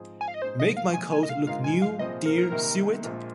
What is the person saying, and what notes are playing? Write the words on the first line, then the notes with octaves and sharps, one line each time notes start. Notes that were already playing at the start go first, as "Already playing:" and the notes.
Make my coat look new, dear, sew it?
Already playing: G#2 F3 C4 G#4
G#5
F5
D#5
G#2 G#3 C4 G#4 C5
D#5
F5
A#1 A#2 G#3 G#5
G#5
D#5
F5
G#2 G#3 F4 A#4 F5
G#5
F5
C2 A#2 F3 C4 G#4 D#5
A#4
A#4
C2 C3 D#3 A#3
A#1 A#2 F3 G#3 C4